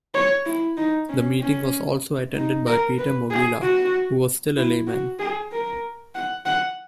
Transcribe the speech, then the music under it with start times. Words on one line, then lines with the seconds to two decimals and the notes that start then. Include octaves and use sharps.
The meeting was also attended by Peter Mogila, who was still a layman.
0.14 C#5
0.46 E4
0.77 D#4
1.09 C#4
1.41 C#4
2.35 D#4
2.67 A#4
2.98 B4
3.31 G#4
3.62 F#4
4.57 E4
4.88 F#4
5.19 G#4
5.52 A#4
6.15 F#5
6.46 F#5